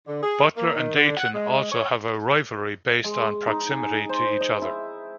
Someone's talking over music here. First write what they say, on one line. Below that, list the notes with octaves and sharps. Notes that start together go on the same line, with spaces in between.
Butler and Dayton also have a rivalry based on proximity to each other.
D3
G#4
A#3
D#3
D3
F#5
G#3
C#5
G#3
D#4
G#5
C5
D#5
E4